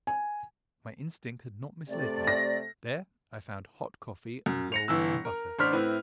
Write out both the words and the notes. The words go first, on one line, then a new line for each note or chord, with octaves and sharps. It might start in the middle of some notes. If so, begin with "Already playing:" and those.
My instinct had not misled me: there I found hot coffee, and rolls and butter.
G#5
C3 A3 D5
A#6
F#2
A#6 C#7 F7
G1 E3 E6
A#4
A1 D4 C5 F6 B6
A2 C4 E4 B4